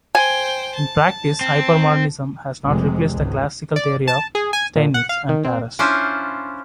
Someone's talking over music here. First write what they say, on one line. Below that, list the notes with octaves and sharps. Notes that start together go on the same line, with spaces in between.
In practice, hypermodernism has not replaced the classical theory of Steinitz and Tarrasch.
C5 G5 G#5
A5
C4
F1 C3 G#3
G#1 C#2 G#3
D5
A5
G#4
G#5
A#2
F#5
F5
D#3
C4
C#4 D4 E4 F4 C5